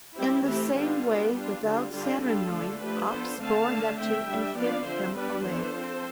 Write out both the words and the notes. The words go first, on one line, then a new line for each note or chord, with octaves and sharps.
In the same way without Saturn knowing, Ops bore Neptune and hid him away.
G3 C4 E4 G4
E3 A3 C4 E4 G4
D3 G3 B3 D4 F4
G3 B3 D4
G3 D4 F4
D3 G3 D4 F4
D3 G3 D4 F4
G3 D4 F4 A4
D3 A3 D4
F3 A3 D4 G4 B4
F3 B3 D4 A4 C5
D3 A3 C4 F5 A5
D3 A3 D4
D3 A3 C4 E5 G5
G3 D4
F3 B3 D4 D5 F5
D3 F3 C4 C5 E5
G3 B3 D4 B4 D5
E3 B3 D4 A4 C5
F3 C4